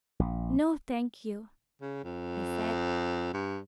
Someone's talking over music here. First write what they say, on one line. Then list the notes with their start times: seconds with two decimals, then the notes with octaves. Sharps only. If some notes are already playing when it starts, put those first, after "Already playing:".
"No, thank you," I said.
0.19 A#1
1.82 C#3
2.04 F2
3.34 G2